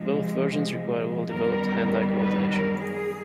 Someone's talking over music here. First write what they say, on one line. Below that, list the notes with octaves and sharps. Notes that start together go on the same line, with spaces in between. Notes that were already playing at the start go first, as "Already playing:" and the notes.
Both versions require well-developed hand-eye coordination.
Already playing: C3 F3 G#3
F#2 D#3 G3 B3 A#4
B4
A#4
G#4